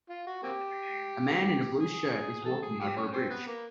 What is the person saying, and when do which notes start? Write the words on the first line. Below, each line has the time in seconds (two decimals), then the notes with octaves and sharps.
A man in a blue shirt is walking over a bridge.
0.09 F4
0.27 F#4
0.43 A#3 C4 G4
1.78 G#4
2.12 G#4
2.45 A4
2.62 G#4
2.80 G4
2.97 C#4
3.12 C4
3.30 B3
3.47 A#3